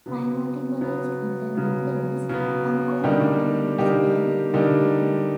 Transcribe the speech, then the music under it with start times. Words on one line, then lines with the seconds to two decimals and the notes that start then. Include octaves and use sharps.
Raimondi College in the Mid-levels, Hong Kong Island was named after him.
0.06 C#3 F#3 B3
0.81 C#3 F#3 B3
1.55 C#3 F#3 B3
2.29 C#3 F#3 B3
3.04 D3 G3 A#3 D#4 G4
3.78 D3 G3 A#3 D#4 G4
4.54 D3 G3 A#3 D#4 G4